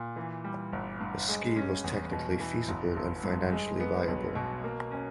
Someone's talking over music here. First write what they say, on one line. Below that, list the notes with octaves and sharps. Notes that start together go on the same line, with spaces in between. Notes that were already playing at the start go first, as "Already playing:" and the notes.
The scheme was technically feasible and financially viable.
Already playing: A#2
E3
G3
G1
G2
G#3
C#4
E2
B2
E3
G1
G1
G2
G#3
B3
B1
B2
A#3
C#4